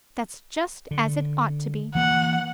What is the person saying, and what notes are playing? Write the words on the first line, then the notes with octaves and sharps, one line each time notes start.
That's just as it ought to be.
D3
E3 A#3 F#5